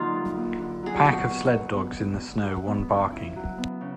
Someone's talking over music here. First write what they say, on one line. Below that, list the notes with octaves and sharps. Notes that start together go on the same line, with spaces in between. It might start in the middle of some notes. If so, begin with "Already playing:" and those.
Pack of sled dogs in the snow, one barking.
Already playing: D3 F#3 A#3 D#4 F4
G2
A#3
D3
F#3 G#4
G4
B2 F#4
B2
F#3
B3
B2
B2
F#3
B3
C#3
E4
F#3
B3
C#3